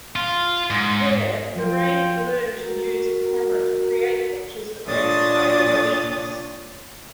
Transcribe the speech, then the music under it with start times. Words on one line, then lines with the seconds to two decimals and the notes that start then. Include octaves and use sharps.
Here, Larrain learned to use the camera to create pictures that magnified emotions.
0.16 F4
0.70 G#2
1.55 F3 F#3 F4 G5
2.56 F#4 A#4
4.87 A#2 D4 C#5 D#6 A6